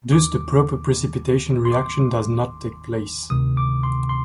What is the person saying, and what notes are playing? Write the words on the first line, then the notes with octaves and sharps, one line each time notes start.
Thus the proper precipitation reaction does not take place.
D#2 D#3 D6
C6
D6
D2 C3 D#3 D#6
D6
C6
C6